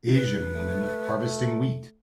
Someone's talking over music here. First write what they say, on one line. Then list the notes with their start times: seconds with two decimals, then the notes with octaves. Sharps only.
Asian woman harvesting wheat.
0.14 B4
0.55 A3